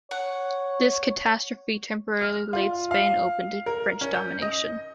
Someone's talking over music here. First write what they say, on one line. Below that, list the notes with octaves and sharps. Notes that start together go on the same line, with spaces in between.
This catastrophe temporarily laid Spain open to French domination.
C#5 F#5
F6
F4
F5
A#4
C#4
G6
D#5